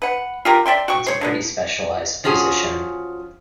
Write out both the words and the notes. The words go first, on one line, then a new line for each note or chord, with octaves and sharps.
It's a pretty specialized position.
B4 F#5
F4 G4 A#4
D5 E5 G5 C6
F#4 G5 C#6
C5 C#5
D3 G#3 B3
F3 C#4 F#4 G#4